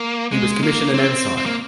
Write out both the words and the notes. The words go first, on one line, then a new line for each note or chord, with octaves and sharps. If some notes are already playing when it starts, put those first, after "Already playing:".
He was commissioned an ensign.
Already playing: A#3
G#3
A#3
C4
C4
A#3